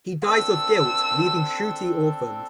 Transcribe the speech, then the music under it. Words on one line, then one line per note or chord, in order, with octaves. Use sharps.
He dies of guilt leaving Shruti orphaned.
C4 D4 A4 E6